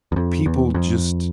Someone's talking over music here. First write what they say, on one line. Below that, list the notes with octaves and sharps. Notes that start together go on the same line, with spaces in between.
people just
E2
F2
E2
F2